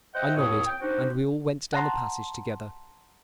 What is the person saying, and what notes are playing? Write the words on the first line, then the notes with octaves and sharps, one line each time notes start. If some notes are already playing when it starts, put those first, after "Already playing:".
I nodded, and we all went down the passage together.
C5 D#5 E5 F#5 G5
D#2 A2 C4 C#5 D#6
G5
C4 D4 D#4 F#4 G4 C5
F#5 A5 A#5 C6